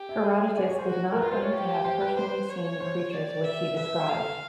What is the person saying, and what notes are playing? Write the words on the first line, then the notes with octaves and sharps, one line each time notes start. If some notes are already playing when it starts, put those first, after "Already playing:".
Herodotus did not claim to have personally seen the creatures which he described.
Already playing: G4
E5
G#4
D5
C#5
C5
F#4
A#4
F4 B4
C5
C#5
G4
C5
B4
B4 C5
C#5
C5
D5
E5
B4 E5
A4 F5